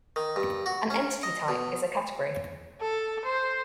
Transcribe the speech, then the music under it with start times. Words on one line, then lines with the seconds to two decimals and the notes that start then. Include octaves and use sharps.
An entity-type is a category.
0.16 D#3
0.36 G2
0.66 F#4
0.90 C#4
1.23 D#5
1.48 B2
2.81 A4
3.25 C5